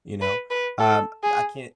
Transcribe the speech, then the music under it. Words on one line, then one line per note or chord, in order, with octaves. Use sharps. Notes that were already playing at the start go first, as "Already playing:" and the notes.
you know? Um, I can't
B4
B4
A4
G#4